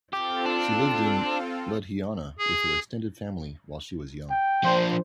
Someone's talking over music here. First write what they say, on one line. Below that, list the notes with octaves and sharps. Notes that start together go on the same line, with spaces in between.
She lived in Ludhiana with her extended family while she was young.
C4 F4 G4 A4
D4
G#4
G5
F3 D4 C5